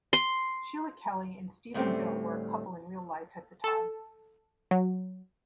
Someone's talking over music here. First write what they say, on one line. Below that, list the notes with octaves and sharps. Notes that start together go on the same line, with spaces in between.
Sheila Kelley and Stephen Bill were a couple in real life at the time.
C6
D2 A2 G3 A#3 C4 C#4
A4
F#3